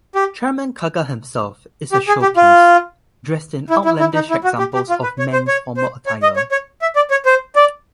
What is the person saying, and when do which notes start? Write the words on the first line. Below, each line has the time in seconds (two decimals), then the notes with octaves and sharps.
Chairman Kaga himself is a showpiece, dressed in outlandish examples of men's formal attire.
0.15 G4
1.92 G4
2.08 G#4
2.22 G4
2.37 F4
3.70 E4
3.85 E4
4.00 E4
4.14 D#4
4.30 E4
4.44 F#4
4.59 G4
4.74 G4
4.89 F4
5.03 B4
5.19 C#5
5.33 C5
5.48 C#5
5.77 C5
6.07 C#5
6.23 D#5
6.36 C#5
6.51 C#5
6.82 E5
6.96 D5
7.11 C#5
7.26 C5
7.56 D5